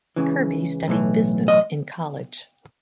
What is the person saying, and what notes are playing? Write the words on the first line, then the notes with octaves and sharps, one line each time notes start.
Kirby studied business in college.
C#2 C#3 E3
B1 A2 E3
D#5